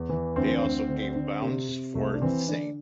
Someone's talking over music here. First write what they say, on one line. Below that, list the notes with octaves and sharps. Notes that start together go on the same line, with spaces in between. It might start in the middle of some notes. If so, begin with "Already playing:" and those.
They also gave bounds for the same.
Already playing: E2
E3
D2 C4
D2
D3
D3
C3
C3
C2 A3
D4
E3 C4
D3 D4